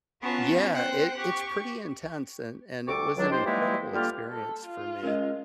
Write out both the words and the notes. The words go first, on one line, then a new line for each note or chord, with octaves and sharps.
Yeah, it, it's pretty intense, and and it was an incredible experience for me.
B3 C#4 F4 F#4 A5 A#5
C5 F#5 G5
G4 C#6
D2 G3 A4 C#6 D6
C#2 F#3 D4
C4 D#4 F4 G4 C5
E3 G3 G#3 A#3 D#4 E4
D3 G3 A#3 F4 G4 F6
A4
F4
G#3 C#4 A#4 D#5